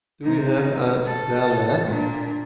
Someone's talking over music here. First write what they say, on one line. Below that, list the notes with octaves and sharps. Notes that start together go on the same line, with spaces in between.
Do you have a Delna?
C3 D#4
A4
A#2 D4